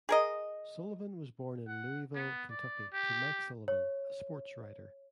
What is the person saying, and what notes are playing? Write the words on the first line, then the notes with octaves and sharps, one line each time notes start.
Sullivan was born in Louisville, Kentucky to Mike Sullivan, a sportswriter.
G#4 A#4 D#5
F#5
B3
D5
G4
C#5